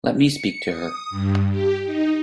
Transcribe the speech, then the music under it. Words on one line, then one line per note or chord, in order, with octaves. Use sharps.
Let me speak to her.
C#7
D#6
G2
G4
D#4